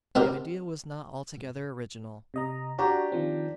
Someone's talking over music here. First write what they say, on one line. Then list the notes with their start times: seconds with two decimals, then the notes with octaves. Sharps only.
The idea was not altogether original.
0.15 C4 D#4 G4 A#4
2.34 C3 D#5 A#5
2.78 D4 F#4 G4 A#5
3.12 D#3 F3 C4